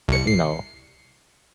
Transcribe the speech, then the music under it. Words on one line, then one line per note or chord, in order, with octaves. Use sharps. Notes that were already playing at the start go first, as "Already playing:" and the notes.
eh, you know?
C2 C#7
C7